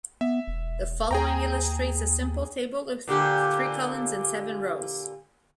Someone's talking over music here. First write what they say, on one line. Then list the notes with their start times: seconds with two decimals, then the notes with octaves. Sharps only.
The following illustrates a simple table with three columns and seven rows.
0.21 B3 E5
0.47 E1
1.11 D#2 G#4 G5 A#5
3.08 A#2 D3 G4